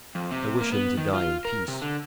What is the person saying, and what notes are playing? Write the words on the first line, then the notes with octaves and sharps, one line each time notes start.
"I wish him to die in peace."
F2
C3
A#3
B3
D#3
F4
A#4
C3
D3